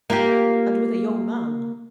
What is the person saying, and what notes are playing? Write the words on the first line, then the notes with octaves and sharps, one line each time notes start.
'And with a young man?'
A#3 F4 G4